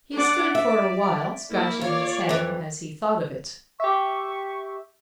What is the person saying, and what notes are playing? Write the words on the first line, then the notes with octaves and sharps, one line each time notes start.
He stood for awhile scratching his head as he thought of it.
D4 D5 F#5
D5 E5
A#3 E4
F4 C#5 D5
F2 E3
G4 E5 C#6